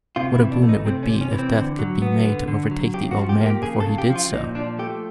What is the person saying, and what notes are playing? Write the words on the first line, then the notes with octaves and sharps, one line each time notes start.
What a boon it would be if death could be made to overtake the old man before he did so!
C3 F4
E4
E3
D4
A3
D#4
C3 C4
C#4
C3
C#4
E3
C4
D3
F#3
B3
D3
D3
F#3
C#3 G4
F#4
F3
G4
A#3
G4
C#3 G#4
A4
C#3
G4
F3
F4
A#2 D#4
F3 D4
A3 G4